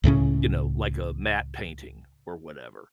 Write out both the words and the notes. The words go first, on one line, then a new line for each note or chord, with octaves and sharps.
you know, like a matte painting or whatever,
C#2 A2 C#3 C#4